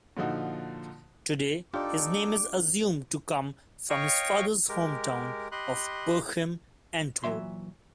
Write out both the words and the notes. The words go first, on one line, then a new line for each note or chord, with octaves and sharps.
Today his name is assumed to come from his father's hometown of Berchem, Antwerp.
A#2 D3 F3 D#4 F#4
D4 D#4 F4 G4 A4 D5 D6
C#5 D#5 F5 G5 C#6
G#3 G4 A#4
G4 D#5 B5 C6 F#6
A#2 E3 F#3 E5 C6